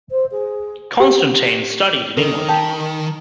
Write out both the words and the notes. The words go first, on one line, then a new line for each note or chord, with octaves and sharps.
Constantine studied in England.
C5
G#4
G4
D#3 A4 A#4
G4 A5